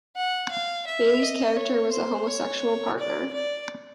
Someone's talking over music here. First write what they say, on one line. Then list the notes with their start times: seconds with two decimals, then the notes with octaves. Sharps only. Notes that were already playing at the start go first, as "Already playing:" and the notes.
Bailey's character was a homosexual partner.
0.16 F#5
0.51 F5
0.87 E5
1.22 D#5
1.57 C#5
1.93 C5
2.27 C#5
2.98 D5
3.33 D5